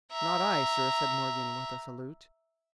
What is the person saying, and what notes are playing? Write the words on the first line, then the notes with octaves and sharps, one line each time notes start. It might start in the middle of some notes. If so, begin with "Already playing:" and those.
"Not I, sir," said Morgan with a salute.
E5 A#5